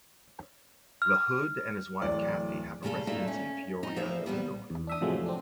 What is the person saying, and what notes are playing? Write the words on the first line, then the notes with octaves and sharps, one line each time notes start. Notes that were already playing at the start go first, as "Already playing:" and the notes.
LaHood and his wife Kathy have a residence in Peoria, Illinois.
F6
D1 E3 D5
A#2 C#3 A3 A4 F5
G2 A3 A#3 D4 D#4 F4
C#4
C4 D#4
E2 F3 A3 C5 E5 F5
A#2 C#3 G3 B3
E2
D4 E5 D#6
A2 C3 F3 F#3 G#3 A3
F2
C4 D4